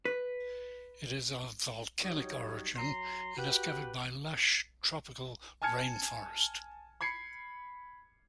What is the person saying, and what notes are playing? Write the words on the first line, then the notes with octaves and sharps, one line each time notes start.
It is of volcanic origin and is covered by lush tropical rainforest.
B4
F#3 G3 D#4 C#5
F#3 A#5 C6
F#4 G4 B4
G#5 A5 F6 G#6 C#7
B5 G#6 C7 C#7